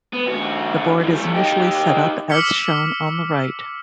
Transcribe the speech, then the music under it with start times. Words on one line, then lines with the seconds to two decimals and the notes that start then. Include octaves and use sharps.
The board is initially set up as shown on the right.
0.14 B3
0.27 D#2 F#4
0.99 G2 E3
1.13 G3 A3
1.34 D#4 G4
2.30 D6 E6 F6 B6 C#7